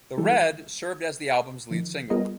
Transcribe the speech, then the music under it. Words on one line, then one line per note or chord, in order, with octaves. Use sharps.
"The Red" served as the album's lead single.
E3 G3 G#3 E4 G4 A4
D#3 F3
G3 B3 F4 G#4 A#4 D#5